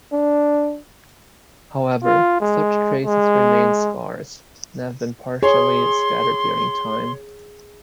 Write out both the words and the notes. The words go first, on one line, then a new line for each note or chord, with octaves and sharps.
However, such traces remain scarce and have been partially scattered during time.
D4
F4
G#3
G#3
G#4 C#5 C6